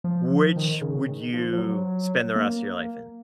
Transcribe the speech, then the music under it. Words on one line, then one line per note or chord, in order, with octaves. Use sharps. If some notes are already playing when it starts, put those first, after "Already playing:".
which would you spend the rest of your life in?
F3
F3
D#3
C#3
D#3
F3
F3
F#3
A#3